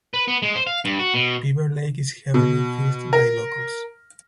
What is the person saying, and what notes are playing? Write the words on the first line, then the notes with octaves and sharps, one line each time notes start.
Beaver Lake is heavily fished by locals.
B4
B3
G#3
C5
F5
G2
F#4
B2
B2
A#4